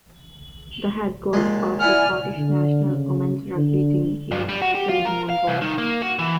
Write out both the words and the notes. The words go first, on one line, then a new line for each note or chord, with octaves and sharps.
The head coach of the Scottish national women's rugby team is Shade Munro.
D#2 A#2 G#3
E4 D5 F#5 G#5 F6
D3
C#3
D3
G2
G3
F#4
G4
F4
A#4
F5
C2
D#3
A#3
F#4
E3